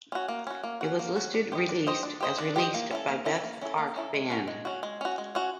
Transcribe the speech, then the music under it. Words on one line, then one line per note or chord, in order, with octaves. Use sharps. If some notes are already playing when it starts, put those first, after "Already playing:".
It was listed released as released by Beth Hart Band.
C#4 F#4
A#3
C#4 F#4
A#3
C#4 F#4
A#3
C#4 F#4
D4
G4 C5 D#5
D4
G4 C5 D#5
D4
G4 C5 D#5
D4
G4 C5 D#5
A#3
C#4 E4 A4
A#3
C#4 E4 A4
A#3
C#4 E4 A4
A#3
C#4 E4 A4
G#3
C#4 F#4
G#3
C#4 F#4
G#3
C#4 F#4
G#3
C#4 F#4